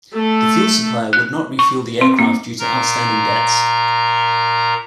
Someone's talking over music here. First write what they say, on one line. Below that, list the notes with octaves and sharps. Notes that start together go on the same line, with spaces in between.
The fuel supplier would not refuel the aircraft due to outstanding debts.
A3 A4
F#6
C#6
C4
A#3
A#2 A#4 A#5